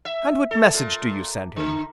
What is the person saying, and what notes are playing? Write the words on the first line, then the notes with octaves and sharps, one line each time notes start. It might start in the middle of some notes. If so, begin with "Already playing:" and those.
"And what message do you send him?"
E5
A4
A#2
D3